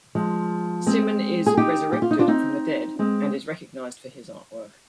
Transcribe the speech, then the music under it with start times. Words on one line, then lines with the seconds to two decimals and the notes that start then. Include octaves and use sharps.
Simen is "resurrected" from the dead and is recognized for his artwork.
0.15 F3 G#3
0.86 G#3 C4
1.46 G#4
1.57 D#4 G4
1.93 G4
2.02 F4
2.11 D#4
2.19 D4 F4
2.28 C4 D#4
2.99 G#3 C4